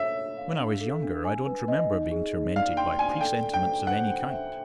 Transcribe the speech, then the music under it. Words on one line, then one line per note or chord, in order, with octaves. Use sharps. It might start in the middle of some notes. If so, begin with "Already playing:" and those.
When I was younger, I don't remember being tormented by presentiments of any kind.
Already playing: A4 C#5 E5
C#5
F5
D4
A4
D4
G#5
B4
D#5
D#4
G#4
D#4
D5 F5
G5 C6
D5 G#5
A4 G5
A4
G5
A4
C5 F#5
C5
E5